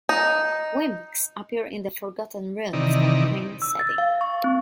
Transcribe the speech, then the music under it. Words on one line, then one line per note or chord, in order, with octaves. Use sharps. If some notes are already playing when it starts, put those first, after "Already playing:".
Wemics appear in the "Forgotten Realms" campaign setting.
D#4
C3 D#3 E3 D#4 D5
E6
A6
F5
C#6
C4